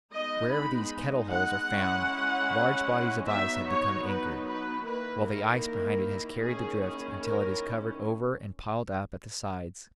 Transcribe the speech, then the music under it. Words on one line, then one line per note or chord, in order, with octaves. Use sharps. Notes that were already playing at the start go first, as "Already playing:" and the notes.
Wherever these "kettle holes" are found large bodies of ice have become anchored, while the ice behind it has carried the drift until it is covered over and piled up at the sides.
G#3 B3 D#4 D#5
B5
F#5
G#3 C#4 E4
F#3 B3 D#4 E5
C#5
B4
B4
D#3 A#3 E4 B4
A#4
A#4
D#3 A#3 C#4 E4 G#4
G#4
A#4